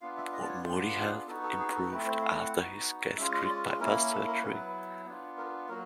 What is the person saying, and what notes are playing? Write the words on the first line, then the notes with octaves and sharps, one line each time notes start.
Moody's health improved after his gastric bypass surgery.
B3 D4 F4 F5
E5
D#5
D5
C#5
B3 D4 F4 C5
G4
G#4
B3 D#4 F#4 A4
A4
G#4
A4
A3 C4 E4 B4
C5
F5
F#5
B3 D#4 F#4
G#3 C#4 F4 E5
D#5
D5
B4
A#3 C#4 E4 A#4
A4
A#4
F#3 B3 E4 B4
B3 D4 F4
A#4
F#3 A#3 F#4 A#4